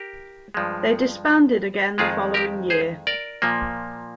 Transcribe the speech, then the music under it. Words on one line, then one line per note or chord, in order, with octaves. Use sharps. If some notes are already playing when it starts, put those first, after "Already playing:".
They disbanded again the following year.
Already playing: G4 A#4
G2 F3 G#3
F2 D#3 G#3 F4 G#4
G4 A#4
G#4 C5
A#4 D5
A#2 F3 A#3